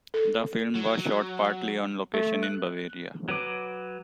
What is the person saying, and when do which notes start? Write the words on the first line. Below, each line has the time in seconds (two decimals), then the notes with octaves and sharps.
The film was shot partly on location in Bavaria.
0.14 A4
0.75 F#3
2.14 A3
2.43 F#6
3.29 F#3 B4 D6